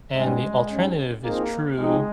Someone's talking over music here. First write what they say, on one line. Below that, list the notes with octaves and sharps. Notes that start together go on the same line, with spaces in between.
And the alternative is true.
G#2 G3 G#3 C#4
G#2 G3 C#4
F3 A#3 C4 D#4 G#4
F3 G#3 C4 D#4 G#4